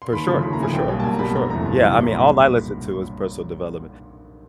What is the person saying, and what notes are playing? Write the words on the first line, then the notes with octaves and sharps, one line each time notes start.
For sure, for sure, for sure. Yeah, I mean, all I listen to is personal development.
C6
D#2 B5
C#3 F3 A3 C6
D#2 B5
A#5
C#3 F3 A3 G#5
B1 G5
B2 G3 A#3 G#5
A5
B1 G#5
A#5
B2 G3 A#3 B5
G1 A#5
F2 C3 E3 A3 A#5
G1 A5
F2 C3 E3 A3
B1 C6
A#5
A#2 G3 B5